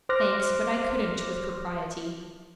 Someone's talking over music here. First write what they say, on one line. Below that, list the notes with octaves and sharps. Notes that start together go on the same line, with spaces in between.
'Thanks, but I couldn't with propriety.
C5 C6 D6 F6 F#6 A#6